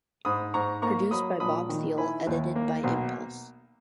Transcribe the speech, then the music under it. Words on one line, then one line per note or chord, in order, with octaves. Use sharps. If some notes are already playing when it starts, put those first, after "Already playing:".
Produced by Bob Thiele, edited by Impulse!
G#2 B5 D#6
G#2 A#5 C#6
A#3 A#5 C#6
F#3 B5 D#6
A#1 B5 D#6
D#3
E4 G#5 B5
D#2
A#3
B1